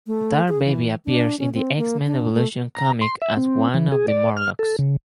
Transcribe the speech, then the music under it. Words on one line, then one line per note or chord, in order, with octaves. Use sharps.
Tar Baby appears in the "X-Men Evolution" comic as one of the Morlocks.
A3
G#4
E3
D4
C#4
C4
A#3
D4
A3
A#5
C6
E5
C4
E3
G#4
D5
F6
A4
C#3